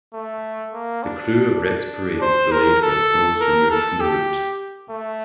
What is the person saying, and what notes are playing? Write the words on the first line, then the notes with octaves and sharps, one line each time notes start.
The Krewe of Rex Parade was delayed while snow was removed from the route.
A3
A#3
D4
D4
C5
A#4
A4
A#4
A4
G4
A3